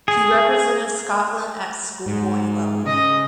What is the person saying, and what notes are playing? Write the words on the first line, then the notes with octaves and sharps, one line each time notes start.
He represented Scotland at schoolboy level.
G#4
G#2
C#3 D#5